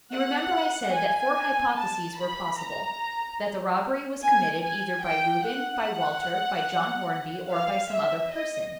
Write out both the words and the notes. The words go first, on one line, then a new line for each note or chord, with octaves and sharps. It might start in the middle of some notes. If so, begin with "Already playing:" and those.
You remember I said that four hypotheses were possible: that the robbery was committed either by Reuben, by Walter, by John Hornby, or by some other person.
F#5
G#5
A5
B5
A#5
G#5
G#5
G5
F#5
F5
E5
D#5